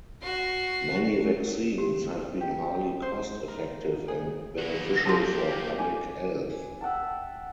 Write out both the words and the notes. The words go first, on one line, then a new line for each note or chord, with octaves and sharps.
Many vaccines have been highly cost effective and beneficial for public health.
F#4 C7
G4
G4
C5
A#4
G#4
A#3 F#4
F3 F#3 F4 G4
G#5 D6
E5 F#5 G5 A5